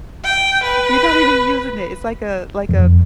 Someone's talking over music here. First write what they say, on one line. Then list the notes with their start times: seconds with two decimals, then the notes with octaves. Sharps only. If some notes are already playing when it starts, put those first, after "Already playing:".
You're not even using it. It's like a like a
0.24 G5
0.63 B4
2.69 F2